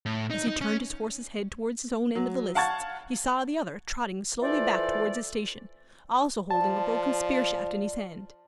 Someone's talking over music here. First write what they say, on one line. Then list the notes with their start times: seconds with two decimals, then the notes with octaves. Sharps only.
As he turned his horse's head towards his own end of the lists, he saw the other trotting slowly back towards his station, also holding a broken spear shaft in his hand.
0.06 A2
0.30 D#4
0.48 D#4
0.61 C#4
2.15 F#3
2.55 F5 F#5 A5 C#6 G#6 A6
4.41 E3 F4 A4 C5 D5
6.51 F3 D5 A5